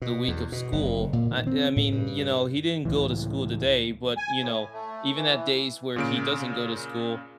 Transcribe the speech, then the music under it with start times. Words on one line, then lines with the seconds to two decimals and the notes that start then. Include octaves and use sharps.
the week of school, uh, I mean, you know, he didn't go to school today, but, you know, even at days where he doesn't go to school,
0.02 B2
0.28 E2
0.52 B2
0.72 F#1
1.13 A#2
1.31 D#3
1.47 C4
1.76 A2
1.92 G2
2.85 C#2 A2 E3
4.16 G#5
4.41 A2
4.73 A3
5.15 E3
5.96 A#2 C#3 D7